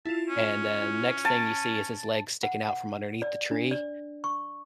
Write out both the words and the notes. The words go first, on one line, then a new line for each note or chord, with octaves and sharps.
and then next thing you see is his legs sticking out from underneath the tree,
E4 F4 A5
C#4
A5 A6 D7 D#7
F#5
F#5
D5
D4
D5
C#6